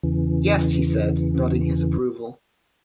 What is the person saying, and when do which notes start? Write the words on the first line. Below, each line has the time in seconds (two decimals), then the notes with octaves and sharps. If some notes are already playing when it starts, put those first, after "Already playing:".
"Yes," he said, nodding his approval.
0.03 E2 C#3 E3